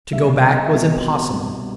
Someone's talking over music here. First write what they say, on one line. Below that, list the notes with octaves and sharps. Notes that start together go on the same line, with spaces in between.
To go back was impossible.
C2 B2 G3 E5
D#5
E5
C2 B2 G3 D#5
C2 B2 G3